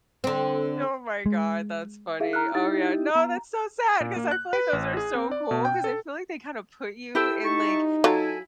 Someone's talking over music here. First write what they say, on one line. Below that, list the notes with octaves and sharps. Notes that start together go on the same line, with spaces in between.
Oh my god, that's funny. Oh, yeah, no, that's so sad 'cause I feel like those are so cool 'cause I feel like they kinda put you in, like,
D3 C4
G#3
E4 G#4 E5 F5
A#5 F6 F#6
D#4 E4 G4 A6
B3 A#5
A#2
A#3
F#6
B4
A1
G#4
C4
D5
B2
G5
A4
E4 G4 A4 E6
D#4 E5 A5 C#6
F#3 E4 F4 A4 G#5